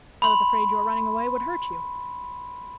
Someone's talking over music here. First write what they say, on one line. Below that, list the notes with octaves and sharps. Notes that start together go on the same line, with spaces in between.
"I was afraid your running away would hurt you."
B5 C6